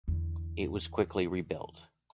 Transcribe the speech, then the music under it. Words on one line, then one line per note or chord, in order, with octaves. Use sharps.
It was quickly rebuilt.
E2 D3